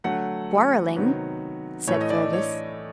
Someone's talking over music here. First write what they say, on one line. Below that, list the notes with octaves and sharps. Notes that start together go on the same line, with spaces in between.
"Quarrelling," said Fergus.
D3 F#3 A3 F#5
C3 D#3 F#3 B3
A2 E3 A3 C#5
D#5
D5
C#5